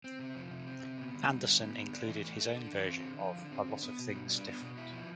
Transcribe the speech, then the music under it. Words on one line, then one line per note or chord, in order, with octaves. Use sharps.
Anderson included his own version of "A Lot of Things Different".
C4
C3
F3
C3
C4
C3
B3
D3
G3
D3
B3
D3
D4
E3
A3
A4
D4
E3
C4
D3
F3
D3
C4
D3
B3
B2
G3
D4
B3
B2
E4
F3